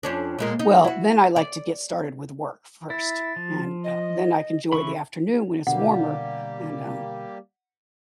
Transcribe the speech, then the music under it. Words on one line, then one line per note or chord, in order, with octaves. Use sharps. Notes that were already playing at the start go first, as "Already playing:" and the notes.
Well, then I like to get started with work first and, uh, then I can joy the afternoon when it's warmer and, um,
F2 C#4 D4
A#2 G#3 A#3
D#4
E4 F#4
D5
E4 A6
F3
D#5
C#3 E3 B5 C#6
B2 D3 G3 A#3 G4 F#5